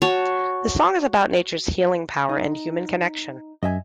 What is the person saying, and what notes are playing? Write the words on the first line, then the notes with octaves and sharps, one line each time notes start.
The song is about nature's healing power and human connection.
F#4 C#5 A5
D#4
F#2 D#5 E5 G#5